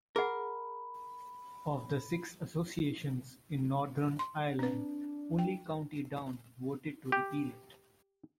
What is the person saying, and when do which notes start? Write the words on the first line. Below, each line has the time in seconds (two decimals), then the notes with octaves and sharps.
Of the six associations in Northern Ireland, only County Down voted to repeal it.
0.16 G#4 A#4 F#5 B5
4.19 C6
4.59 C4 D4 B4
5.39 G5
7.12 G4